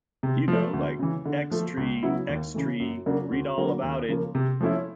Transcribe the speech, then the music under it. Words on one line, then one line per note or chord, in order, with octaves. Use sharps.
You know, like 'X-Tree, X-Tree read all about it!'.
C3
F3 A3
D2
C#3 E3
D3
F3 A3
C#2
C#3 F#3 B3 E4
D#2
C#3 E3 A3
F#2
C#3 F#3 A#3 D4
D2
D3 F#3 A#3
D#2
C#3 F3 A#3
C3
F3 A3 C#4 E4